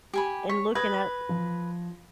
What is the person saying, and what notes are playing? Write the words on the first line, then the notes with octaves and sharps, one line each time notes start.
and looking at
G4 G#5 B5
C#5 B6
B4 D#6 G#6 A#6
F3